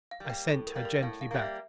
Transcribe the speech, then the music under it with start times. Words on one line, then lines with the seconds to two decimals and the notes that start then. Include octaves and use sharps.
I sent her gently back.
0.11 F5
0.20 G3 A#3
0.30 G5
0.48 A2 A4
0.67 A#4
0.75 G3 A#3
0.85 A#4
1.02 A2 F5
1.21 F5
1.31 G3 A#3
1.39 E5